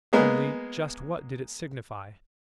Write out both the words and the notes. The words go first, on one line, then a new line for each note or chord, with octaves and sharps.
Only--just what did it signify?
G#3 A#3 B3 G#4